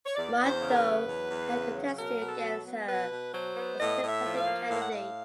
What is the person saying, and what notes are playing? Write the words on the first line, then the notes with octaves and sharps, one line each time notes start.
Mahto had contested against her as Independent candidate.
C#5
E2 D5
E2
C5
C#3
A#4
B4
F#3
E2
E2
C#3
F#3
B2 A#4
B2
A4
F#3
B3
B2 B4
B2
F#3 C5
B3
A2 D#5
A2
E5
F3
F5
A#3
A2 F5
F#5
A2 F5